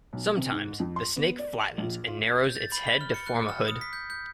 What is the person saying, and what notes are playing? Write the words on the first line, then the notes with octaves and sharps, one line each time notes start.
Sometimes, the snake flattens and narrows its head to form a hood.
B1
C3
G#2
F2
C6
B3
D5
A#1
F4
G6
A6
B5
G7
F6
C#7
F#6
F6
D#6
B6
G6
G6